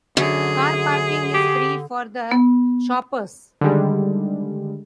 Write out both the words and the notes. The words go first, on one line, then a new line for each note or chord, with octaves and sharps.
Car parking is free for the shoppers.
F#2 D3 G#4
G4
B3
D3 D#3 G3 G#3